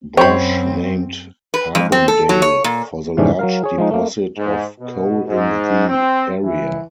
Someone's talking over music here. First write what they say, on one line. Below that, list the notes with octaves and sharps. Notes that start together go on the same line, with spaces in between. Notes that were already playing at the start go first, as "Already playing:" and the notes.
Brush named Carbondale for the large deposit of coal in the area.
F#2 C4 F#4 C5 C#5 G5 B5
B4
F2
C4
A4
F#3
C#5
A#2
F2 G#2 C3 E3 C#4 D4
F#3 A#4 F5
G#4 C#5
F3 G#3 D#4
A3 A#3
G#2
B2
G#2
C4
E3